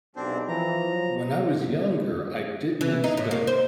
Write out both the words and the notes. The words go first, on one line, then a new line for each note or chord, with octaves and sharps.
When I was younger, I didn't expect,
B1 G#2 C3 C4 D4 C5
E3 F3 A#5
F#3
E3
D#4
A2
A#3
C5